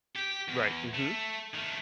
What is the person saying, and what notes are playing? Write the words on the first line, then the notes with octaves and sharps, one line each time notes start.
Right, mhm.
G4
E2
A3
D#3 A3